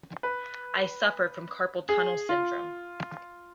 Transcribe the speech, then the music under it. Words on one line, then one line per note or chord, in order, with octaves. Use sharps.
I suffer from carpal tunnel syndrome.
B4
G#4
F4